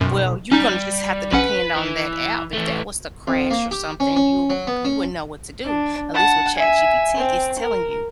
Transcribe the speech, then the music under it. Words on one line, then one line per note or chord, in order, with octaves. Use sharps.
Well, you gonna just have to depend on that app. If that was to crash or something, you you wouldn't know what to do. At least with ChatGPT, it's telling you,
B1 F#2
G3 C#4 D#4
A#1 C#4 B4 F#5
E3
E3 A3
F2
A#3
G4
C#4
C#4
F#3
B3
C#4
D4
F#5 A5
E5 G#5
C4
A#4